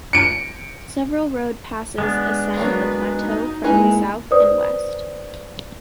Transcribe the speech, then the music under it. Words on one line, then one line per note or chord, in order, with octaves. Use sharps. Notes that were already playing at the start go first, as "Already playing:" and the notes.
Several road passes ascend the plateau from the south and west.
C#7 D7
G#3 B3 D4
F#3 A3 A#3 B4
D#4
G#3 A#3 D#4 E4 B4 G#5
B4 C5 D5 D#6